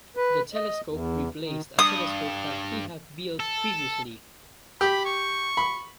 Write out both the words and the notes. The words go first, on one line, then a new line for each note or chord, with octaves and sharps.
The telescope replaced a telescope that he had built previously.
B4
D#5
E2
D#3
G2 D#6
A4
G4 B5
C#6
B5